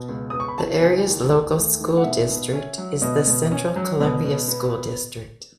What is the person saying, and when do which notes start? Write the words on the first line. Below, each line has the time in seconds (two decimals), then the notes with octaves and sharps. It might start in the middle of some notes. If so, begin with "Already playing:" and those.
The area's local school district is the Central Columbia School District.
Already playing: B2
0.09 C#2
0.30 B3 D#6
0.40 C#6
0.48 B5
0.58 E3 A5
0.82 C#3 G#5
1.07 D#2
1.32 D#2
1.56 A3
1.80 D#3
1.97 F#5
2.04 B2 E5
2.28 B2
2.53 C#4
2.78 F#3
3.02 B2 D#5
3.27 B2
3.51 C#4
3.76 F#3
4.00 B2
4.24 B2
4.48 B3